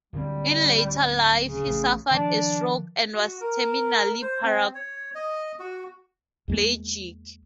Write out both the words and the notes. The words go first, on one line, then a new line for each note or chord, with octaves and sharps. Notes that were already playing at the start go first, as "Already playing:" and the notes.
In later life he suffered a stroke and was terminally paraplegic.
D1 D3 G3 C4
C#3
A1
D#3 F3 D4
F#4
A#4
C5
C4
C#5
D#5
F#4
E2 G#3 A#3